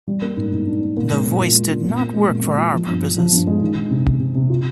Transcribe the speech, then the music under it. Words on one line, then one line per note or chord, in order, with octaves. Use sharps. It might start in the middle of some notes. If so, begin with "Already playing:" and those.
The voice did not work for our purposes.
G3
A#3
G#2
G#2
D4
A#3
A#2
G#3
A#2
F4
G#3
D4
A#2
C4
G#3
A#2
G#3
F4
F3
G2
F3
F3
G2
G#3
D#3
D#3
C3
C3
C3
C3
F4